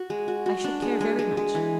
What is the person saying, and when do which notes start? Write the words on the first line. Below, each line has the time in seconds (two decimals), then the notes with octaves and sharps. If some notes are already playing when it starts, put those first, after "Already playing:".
I should care very much.
Already playing: F#4
0.10 G#3
0.28 F#4
0.46 F#4
0.64 D4
0.82 G#3
1.01 G#3
1.19 G#3
1.37 G#3
1.55 E3